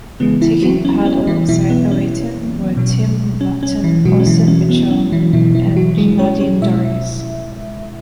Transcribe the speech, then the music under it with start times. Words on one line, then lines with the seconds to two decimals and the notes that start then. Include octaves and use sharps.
Taking part alongside Oaten were Tim Loughton, Austin Mitchell and Nadine Dorries.
0.20 C#3 E3 G#3 B3
0.41 E3 E4
0.63 F#3 F#4
0.85 C#4
1.06 C#4
1.27 E3 E4
1.49 B2 E3 F#3 E4
1.70 B3
1.91 C#4
2.77 B2 F#3
3.41 C#4
3.63 C#4
3.84 E3 E4
4.05 B2 F#3 G#3 F#4
4.20 C#4
4.26 E3 E4
4.47 C#4
4.69 B3
4.91 C#4
5.12 E3 E4
5.33 B2 E3 F#3 E4
5.55 E3 E4
5.76 F#3 F#4
5.98 G#3 G#4
6.19 C#4 C#5
6.40 C#4 C#5
6.62 B2 G#3 E4 E5